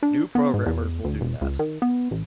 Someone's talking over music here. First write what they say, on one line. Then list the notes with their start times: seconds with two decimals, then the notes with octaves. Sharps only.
New programmers will do that.
0.03 D4
0.35 B3
0.54 G#2
0.66 E2
1.05 D2
1.21 E1
1.41 C#2
1.59 D#3
1.82 B3
2.11 A1